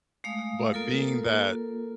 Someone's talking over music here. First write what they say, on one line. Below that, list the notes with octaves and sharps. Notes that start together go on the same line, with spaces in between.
but being that
G#3 A3 F5 D#6
A#3 F4 A4 A#4